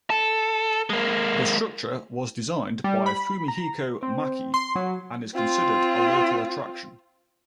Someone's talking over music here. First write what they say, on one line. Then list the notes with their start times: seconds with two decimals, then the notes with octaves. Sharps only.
The structure was designed by Fumihiko Maki and is considered a local attraction.
0.10 A4
0.90 G#3 A#3
2.84 G3
3.06 B5
3.48 A#5
4.03 C4
4.54 C6
4.76 F#3
5.35 C4 F4